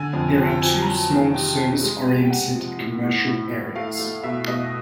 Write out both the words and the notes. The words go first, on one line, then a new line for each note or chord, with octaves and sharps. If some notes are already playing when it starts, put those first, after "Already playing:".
There are two small service-oriented commercial areas.
Already playing: D3 G#5
F2
F2
G5
F3 G#5
A5
A#5
F#3 A5
D#3
C3 G5
C3
G#3
C3
G5
C3 F#5
F3
A2
A2
A2
A2
A3 F5
A3
B2 E5
B2 D#5